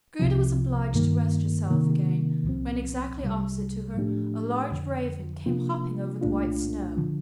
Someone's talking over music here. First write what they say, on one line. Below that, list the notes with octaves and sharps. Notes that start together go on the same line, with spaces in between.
Gerda was obliged to rest herself again, when, exactly opposite to her, a large Raven came hopping over the white snow.
C2 C3 F3
G2 D#3 A#3
C3 D#3 A#3
C2 A#2 F3 C4
C2 C3 G3
A2 F3 A3 D4 G4
F2 D3 F3
C3 F3 A#3 D4 F4
C2 A#2 A3 D4 F4
D3 F3